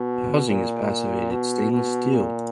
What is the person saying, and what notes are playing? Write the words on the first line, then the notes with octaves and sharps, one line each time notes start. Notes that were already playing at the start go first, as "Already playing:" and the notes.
The housing is passivated stainless steel.
Already playing: B2
A#2
B2
B2
A#2